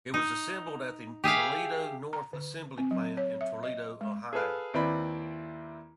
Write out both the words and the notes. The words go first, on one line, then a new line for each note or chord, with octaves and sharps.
It was assembled at the Toledo North Assembly Plant in Toledo, Ohio.
D#4
G4 G#4 E5 F5
A#5
D3
C4
F#3
C#5
E5
D#5
G#3
G#4 A4 B4 F5
D#2 C4 E4 B4 D5 B5